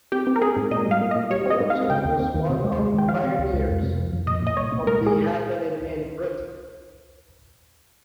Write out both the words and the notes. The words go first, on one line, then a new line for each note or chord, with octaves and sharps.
Nuttall was one of the pioneers of the happening in Britain.
C4 G4
C4
A#4
C4 G#4
G#2
A#2 D#5
G3
F5
A#3
D#5
A#2
G3 C#5
C4 D#5
G#2
F5
C4
C#3 G5
D#2
C4
D#2
C3
G#3
G#3
D#3 G5
F3 F5
C3
C#2
C#2
F2
C3
F3
F2
A#2 D#5
A#2 D#5
C2 C#5
A#2
G#3 A#4
A#2 G#4